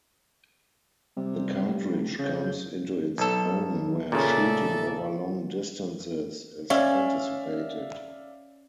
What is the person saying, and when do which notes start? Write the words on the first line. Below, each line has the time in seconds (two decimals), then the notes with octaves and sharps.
The cartridge comes into its own where shooting over long distances is anticipated.
1.17 C3 G3
1.93 F1
2.19 C#3 G6
3.18 B1 A4
4.12 A#2 C#3 A4 D5 E5
6.70 C#4 D5 E5 F5